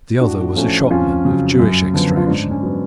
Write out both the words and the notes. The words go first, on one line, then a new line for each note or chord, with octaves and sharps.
The other was a shopman of Jewish extraction.
A2 D4 F#4
F3 A3 C#4
F2 C#4 F4
C#3 F#3
F#2
D3 F3 B3
F4
G#2 D4
C#4
F#3 B3